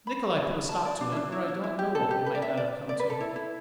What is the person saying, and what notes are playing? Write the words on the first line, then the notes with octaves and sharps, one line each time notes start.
Nikolay put a stop to it, or I don't know what we might not have come to.
B5
A5
D5
D4
E4
D4
E4
E4
E4
G4
A4
G4
B4
D5
E5
D5
D5
B4
A4
E4
E4